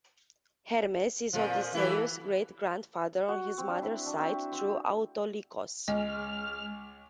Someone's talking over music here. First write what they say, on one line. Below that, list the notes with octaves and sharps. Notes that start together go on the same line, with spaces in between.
Hermes is Odysseus's great grandfather on his mother's side, through Autolycos.
F2 A#2 F3
E3 E4 F#4 G4 A4
F#4
C4
D4
E4
D4
C4
C4
C#2 G#3 D#5 F6